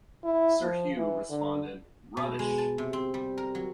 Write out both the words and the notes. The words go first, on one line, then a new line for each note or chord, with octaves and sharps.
Sir Hugh responded, Rubbish!
E4
F3
E3
D3
B2
G#3
A5
C3
C4
G3
A#4
F#3